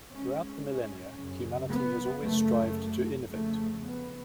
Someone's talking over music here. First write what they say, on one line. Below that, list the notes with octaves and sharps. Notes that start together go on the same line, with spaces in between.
Throughout the millenia, humanity has always strived to innovate.
G#2 C#4
C#4
F#2 C#3
B3
F#2 C#3 A3
F2 C#3 A3
B3